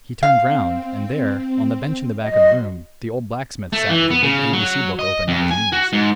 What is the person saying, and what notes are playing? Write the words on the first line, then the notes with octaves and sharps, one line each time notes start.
He turned round, and there, on the bench in the back of the room, the old blacksmith sat with a big ABC book open on his knees.
C4 F5
F#3 F#4 D#5 C6
A3
E3
B3
C#3
F#3
D#5
F2
G#5
F#4
G#2